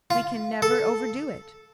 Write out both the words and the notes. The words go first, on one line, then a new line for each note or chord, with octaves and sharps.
We can never overdo it.
F4
A4